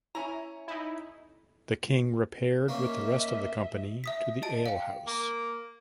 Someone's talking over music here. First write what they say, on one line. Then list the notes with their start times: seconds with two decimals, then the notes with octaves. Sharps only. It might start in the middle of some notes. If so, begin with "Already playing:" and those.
The king repaired with the rest of the company to the alehouse.
0.15 C#4 E4 A#5
0.68 D#4 E4
2.68 A#3 C#4 D#5 E5
4.04 E5 D#6 B6
4.42 D#5 A5 D7
4.66 F5 G5
5.07 A#3